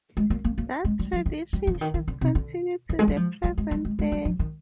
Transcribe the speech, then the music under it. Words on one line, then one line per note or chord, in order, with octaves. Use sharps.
That tradition has continued to the present day.
G#3
A#3
A#3
A#3
G#3
G3
F3
D#3
G3
F3
D3
D#3
D#3
D3
C3
D3
D#3
G#3
G3
F3
G3
G#3
G3
G#3
G#3
G3
F3
D#3